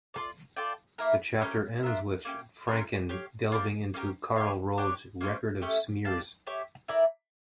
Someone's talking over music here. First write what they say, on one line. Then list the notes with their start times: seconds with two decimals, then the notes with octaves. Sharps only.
The chapter ends with Franken delving into Karl Rove's record of smears.
0.14 F4 A4 D5
0.57 F4 A4 D5 G5
0.98 A#3 E4 A#4
1.41 C#4 G4 A#4
1.83 D4 F4 A#4 E5
2.25 A#3 C#4 G4
2.68 C#4 F4 A#4
3.09 G4 C#5 F5
3.52 A#3 D4 G4
3.94 A#3 C#4 G4 A#4
4.36 G4 C#5 F5
4.78 D4 G4 C#5 G5
5.21 A#3 C#4 F4
5.62 A3 C#4 G4
6.05 G4 D5 F5 A5
6.47 G4 C#5 E5
6.88 E4 A#4 D5